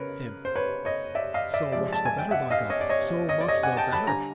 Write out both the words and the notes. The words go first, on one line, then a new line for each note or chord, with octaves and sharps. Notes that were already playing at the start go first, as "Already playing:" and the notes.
HIM: So much the better, by God, so much the better.
Already playing: C#3 A#4 B4 C#5
C5
B4 C#5
C#5 D#5
D5 E5
D#5 F5
D5 E5
C3 F3 G#3 D5 E5
A5
G#5
G5
E5 F#5
D#5 F5
C#5 D#5
D5
C#5 D#5
C#5 D#5
D5
C#5 D#5
F#5 G#5
G5 A5
A5 B5
D3 G3 G#5 A#5